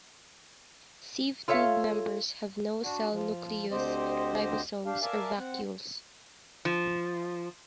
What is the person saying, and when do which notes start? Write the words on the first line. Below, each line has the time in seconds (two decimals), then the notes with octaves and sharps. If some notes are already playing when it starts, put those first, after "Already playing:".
Sieve tube members have no cell nucleus, ribosomes, or vacuoles.
1.48 F4 A4 C#5 E5 F5
2.82 D4 F#4
3.12 F3
3.71 D2 D3 C4 G4 C5 D#5
4.86 D4 G4 F5
5.02 A#4 D5 E5 F5 G#5 A5
5.38 C4 F#5
6.65 F3